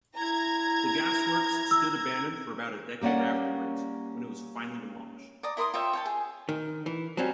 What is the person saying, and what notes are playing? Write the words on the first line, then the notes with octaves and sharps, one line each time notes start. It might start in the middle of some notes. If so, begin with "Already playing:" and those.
The gasworks stood abandoned for about a decade afterwards, when it was finally demolished.
E4 A#5 G#6
E6
G3 A#3 C#4 D5 F#5
D5 A#5 D#6
E4 A#4 C6 D#6
F4 C#5 E5 G5
C#5 G5 A5
G#4
D#3
E3
F#3 G3 C4 C#4 F#4